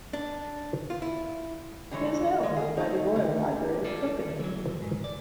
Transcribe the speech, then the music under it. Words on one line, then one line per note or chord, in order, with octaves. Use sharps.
It is now owned by the Royal Library of Copenhagen.
D4
F4
E4
D3 E3 G#3 C#5
G#3
G#4
A3 D#4
D3
F4 A4 D5
E3 F#3
G#2
D5